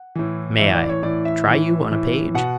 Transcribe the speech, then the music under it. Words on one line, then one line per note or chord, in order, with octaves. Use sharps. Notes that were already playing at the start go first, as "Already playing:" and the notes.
"May I try you on a page?"
Already playing: F#5
A2 E3
A2 E3 E5
D5
C#5
A2 E3 D5
E5
A2 E3
A2 E3
B2 F#5